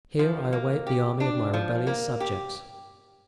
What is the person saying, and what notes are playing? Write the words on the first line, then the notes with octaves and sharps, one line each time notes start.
Here I await the army of my rebellious subjects.
F3
A#3
G4
D4
F3
A#3
G4